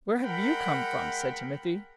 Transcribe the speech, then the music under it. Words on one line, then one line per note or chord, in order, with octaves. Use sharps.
"Where have you come from?" said Timothy.
G#3 A#4 F#5 G5 B5